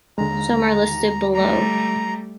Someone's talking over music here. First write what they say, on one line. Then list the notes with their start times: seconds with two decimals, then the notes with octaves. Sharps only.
Some are listed below.
0.18 D#2 D3 G#3 A#5
1.34 G3 A3 A#5